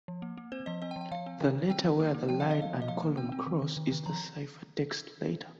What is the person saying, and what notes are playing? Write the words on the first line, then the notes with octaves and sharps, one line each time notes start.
The letter where the line and column cross is the ciphertext letter.
F3
A#3
A#3
C4 C5
F3 D#5
C4 D#5
G5
F3
G5
F3 F5
C4
D#3
D#3
C4 G5
D#3
A#3
A#3
F3 G5
C4 F5
D#5
F3 F5
A#3
D#5
F3 F5
A#3
C4 G5
C4
D#3
D#3
D#3
D#3
F3 A#5